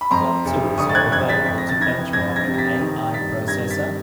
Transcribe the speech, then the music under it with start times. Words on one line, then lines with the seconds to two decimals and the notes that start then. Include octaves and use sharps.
What tools are available to benchmark an A-I processor?
0.01 B5
0.11 F2 A#5 C6
0.45 F1
0.78 D3 C#6 D#6
0.89 A6
0.95 F#6 G#6
1.12 F2 F#6 G#6
1.28 A6 B6
1.46 F2 B6
1.58 A#6
1.69 A6
1.80 E3 G#6 A#6
2.13 F2 G#6 A#6
2.36 G#6 A#6
2.47 C3
2.54 A#6
2.58 A6 B6
2.81 D#3
3.14 G2 A6 B6
3.47 G2 G#6 A#6
3.70 A6 B6